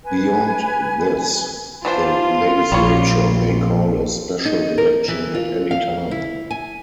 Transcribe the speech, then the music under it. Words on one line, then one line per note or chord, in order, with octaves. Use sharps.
Beyond this, the legislature may call a special election at any time.
B4 G#5
E3 D4 F4 C5
A#1 G3 C#5
D#4
A#4
E3
F4
F5
E4
G#5